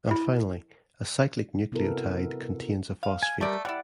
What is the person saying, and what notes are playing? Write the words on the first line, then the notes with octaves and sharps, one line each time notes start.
And finally, a cyclic nucleotide contains a phosphate.
E4
C3 B3 E4 F#4 A4 A#4
F5
G#5
G3 A3 G4 A#4 D5
G3 E4 D5 F#5